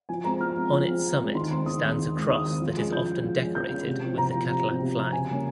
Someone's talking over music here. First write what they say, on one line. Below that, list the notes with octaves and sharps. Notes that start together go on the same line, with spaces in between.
On its summit stands a cross that is often decorated with the Catalan flag.
F3 G#5
G#3 C4 A#5
F3 F6
G#3 C4
F3
G#3 C4
F3
G#3 C4
D#3 C6
G#3 C4 C6
D#3 D#6
G#3 C4
D#3
G#3 C4
D#3 D#6
G#3 C4
F3
G#3 C#4
F3 G6
G#3 C#4
F3
G#3 C#4
F3 G6
G#3 C#4
C3
F3 C4
C3 A#5
F3 C4
C3
F3 C4
C3
F3 C4
C#3 G#5
G3 A#3 C#4